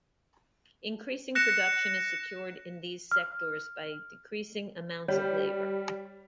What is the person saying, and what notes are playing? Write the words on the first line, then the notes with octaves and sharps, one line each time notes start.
Increasing production is secured in these sectors by decreasing amounts of labour.
F#6 A#6 C#7 E7
F6
G3 C#5